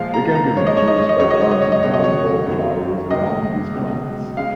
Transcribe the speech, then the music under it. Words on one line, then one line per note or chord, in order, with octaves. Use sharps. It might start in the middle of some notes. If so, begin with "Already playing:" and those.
They can be reduced by planting marigold flowers around these plants.
Already playing: A#2 F3 G#3 F5
A#5
A#5
G#2 F3 G#3 C#5
D#5
C#5
D#5
C#5
D#5
C#2 C#3 F#3 C#5
D#5
C#5
D#5
C#5
D#5
C#2 B2 F#3 C#5
D#5
C#5
F#2 D#3 F#3
D#2 C#3 G#3 D#5
C#2 B2 F#3
C#3 G#3 F5